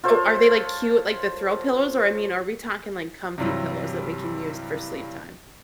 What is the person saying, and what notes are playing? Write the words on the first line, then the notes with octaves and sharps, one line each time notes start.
Oh, are they, like, cute like, the throw pillows? Or, I mean, are we talking, like, comfy pillows that we can use for sleep time?
F4 A4 C5 C#5
G2 C3 E3 F#3 G3